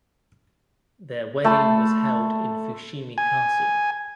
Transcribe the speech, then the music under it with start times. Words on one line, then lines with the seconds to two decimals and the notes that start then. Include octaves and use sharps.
Their wedding was held in Fushimi Castle.
1.44 A3 A5 B5 C6
3.18 G#5